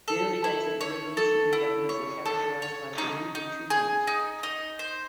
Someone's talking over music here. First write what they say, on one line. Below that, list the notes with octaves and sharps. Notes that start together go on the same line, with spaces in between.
The early days of the revolutionary government were characterized by political tumult.
A4
E4
C#5
A4
E4
C#5
A4
C#5
D#4
D#4
G#4
D#4
D#4
C5